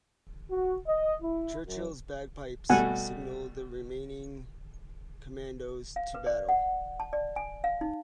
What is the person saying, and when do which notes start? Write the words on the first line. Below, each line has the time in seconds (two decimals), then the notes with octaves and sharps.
Churchill's bagpipes signalled the remaining Commandos to battle.
0.51 F#4
0.87 D#5
1.22 E4
1.66 F#2
2.70 B2 G3 A3 F#5 G#5
5.96 F5
6.14 B4
6.26 D5
6.49 F#5
7.00 A5
7.13 D5
7.36 G#5
7.64 F5
7.81 D#4